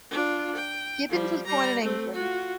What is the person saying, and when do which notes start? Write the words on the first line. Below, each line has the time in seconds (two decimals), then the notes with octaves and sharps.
Gibbons was born in England.
0.11 D4 F4
0.55 G5
1.09 F3 G3
1.46 G3 A#5
1.82 A3 C4
2.13 F4 F#4